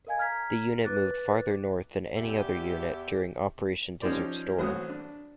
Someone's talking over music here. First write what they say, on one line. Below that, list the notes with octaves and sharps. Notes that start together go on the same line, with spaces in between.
The unit moved farther north than any other unit during Operation Desert Storm.
A#4 D#5 F5 G#5 G#6
A#5 F6 G#6 B6
B4 D6 F#6 A6
E2 G4 E5
F3 C#4 D#4 G4 C5 D5
A1 F#3 C4 F#4 C#5 D#6
D4